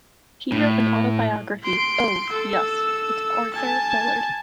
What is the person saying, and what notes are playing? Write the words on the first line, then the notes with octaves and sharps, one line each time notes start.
He wrote an autobiography, "Oh, Yus, It's Arthur Mullard".
A2
C6 D7
A4 E6
G#5 A5